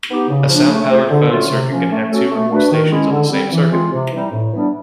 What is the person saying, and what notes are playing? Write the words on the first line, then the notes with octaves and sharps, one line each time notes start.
A sound-powered phone circuit can have two or more stations on the same circuit.
B3 D#4 G4
C#3
F3 A#3 D4
A3
C4 F4 G#4 C5
D3
F#3 A3 C#4 F4
C3
F3 A#3 C#4
A3
C#4 F#4 A4
A3
D4 F#4 B4
D#3
G#3 C#4 E4
D3
G3 C4
E3
G#3 C4 F4
C3
E3 G3 C4 D#4
A2
E3 G3 B3 D4